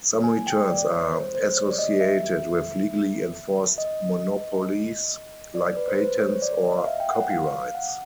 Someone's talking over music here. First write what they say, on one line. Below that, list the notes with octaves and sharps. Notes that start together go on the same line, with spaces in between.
Some returns are associated with legally enforced monopolies like patents or copyrights.
G#5
G5
D5
C#5
C5
C5
C#5
D5
D#5
E5
D#5
D5
B4
C5
B4
C5
C#5
D5
D#5
F5
E5
G5
F#5
F5
F5
F#5